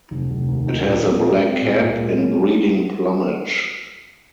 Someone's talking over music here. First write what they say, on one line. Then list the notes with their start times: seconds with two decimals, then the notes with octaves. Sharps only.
It has a black cap in breeding plumage.
0.11 F1
0.30 F1
0.48 D#2
0.67 D#3
0.86 A#2
1.05 A#2
1.24 G#3
1.44 C4
1.62 A#2
1.81 A#2
1.99 G#3
2.19 C#4